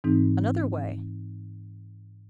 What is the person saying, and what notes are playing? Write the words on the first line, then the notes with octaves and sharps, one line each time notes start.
Another Way.
G#2 E3 C4 D#4